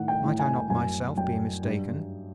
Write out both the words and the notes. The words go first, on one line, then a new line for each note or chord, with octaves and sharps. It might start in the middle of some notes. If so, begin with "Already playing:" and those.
Might I not myself be mistaken?
Already playing: A2 D#3 F#5
G5
A2
G#5
F#2 G#5
F#2 G5
G2